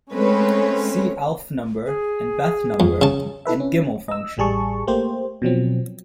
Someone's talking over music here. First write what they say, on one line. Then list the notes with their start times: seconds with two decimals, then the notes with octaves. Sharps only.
See aleph number and beth number and gimel function.
0.12 G#3 A3 C4 C#4 B4 C#5
1.86 G#4
2.80 F2
3.02 C#3 A5
3.45 E4 A4 B4 E5
3.60 C#4
4.08 D#5 E6
4.38 A1 G3 G#4 A5 C#6
4.87 A3 A#3 G4 C5
5.42 B2 F3 F#3 C4